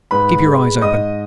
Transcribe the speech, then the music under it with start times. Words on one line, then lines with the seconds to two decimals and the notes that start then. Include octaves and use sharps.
Keep your eyes open.
0.11 G#2 B4 B5
0.46 G#3
0.82 G#2 D#5 D#6